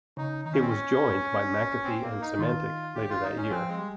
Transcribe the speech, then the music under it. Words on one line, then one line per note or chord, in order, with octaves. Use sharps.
It was joined by McAfee and Symantec later that year.
C#3 D#4
D#3 D#4
C#4
C4
C#4
C4
A#3
D#4
D#3 F4
G4
F4
D#4
C#4
F3 C4
G#3
G3